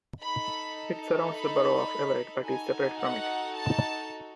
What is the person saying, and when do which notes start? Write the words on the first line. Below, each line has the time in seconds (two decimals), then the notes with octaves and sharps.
It surrounds the borough of Everett but is separate from it.
0.22 D#4 A4 B5
1.33 B5
2.43 D#4 F#4 A4 G#5
2.99 F#5
3.54 A5